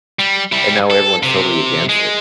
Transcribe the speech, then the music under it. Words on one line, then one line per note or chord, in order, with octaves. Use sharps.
and now everyone's totally against it.
G3
G3 E4
A4
C3
G#3